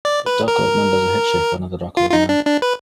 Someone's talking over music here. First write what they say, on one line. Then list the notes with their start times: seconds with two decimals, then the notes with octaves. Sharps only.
A dark colored man does a head shave for another dark colored man.
0.05 D5
0.26 B4
0.48 A#4
1.97 F4
2.10 F4
2.13 D#4
2.29 D4
2.46 D4
2.62 B4